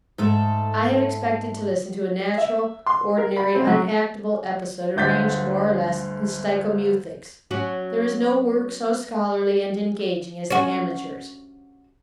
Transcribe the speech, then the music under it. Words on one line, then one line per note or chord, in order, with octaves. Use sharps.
I had expected to listen to a natural, ordinary, unactable episode arranged more or less in steichomuthics. There is no work so scholarly and engaging as the amateur's.
G#2 A3 A4
E5
C6
A#4
B5
C4
F#3
G1 D2 G6 A6 B6
F#3 C#4 F#4
C#4 F#4